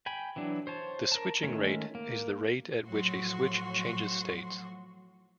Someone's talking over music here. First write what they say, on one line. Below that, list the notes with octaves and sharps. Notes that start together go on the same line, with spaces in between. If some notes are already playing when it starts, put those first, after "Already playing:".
The switching rate is the rate at which a switch changes states.
G5 G#5 B5
E3 F#3 D4
C5 C#5 A5
A#4 A5
D#3 G#3 A3 C#4
A#3
A2 F3 F#3 F#4 C6